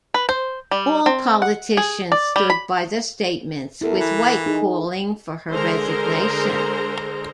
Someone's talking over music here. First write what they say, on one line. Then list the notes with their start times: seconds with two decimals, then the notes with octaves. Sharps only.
All politicians stood by their statements with Whyte calling for her resignation.
0.14 B4
0.29 C5
0.71 G3
1.06 C4
1.42 F#5
1.77 G#4
2.12 D5
2.36 G3
2.50 B5
3.81 E2 E4 A4 A#4
4.00 E3
4.46 D#4 G#4
5.53 D3 G#3 G#4 A#4 C5 A#5